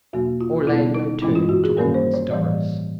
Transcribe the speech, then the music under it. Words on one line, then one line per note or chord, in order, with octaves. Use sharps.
Orlando turned towards Doris.
E2 B2 F#3 A#3 F#4
F4
B2 G3 B3 E4
D#4
G2 E3 G#3 C#4 E4
F4
F#4
G#4
G2 D#3 G3 A#3 C#4 A#4
C5
C#5
A2 E3 G3 D5